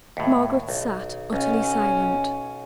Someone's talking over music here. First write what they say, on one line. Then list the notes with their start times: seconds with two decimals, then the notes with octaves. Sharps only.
Margaret sat utterly silent.
0.17 D#2 A2
0.69 B1
1.33 B1 C#4 D#5 F#5 G#5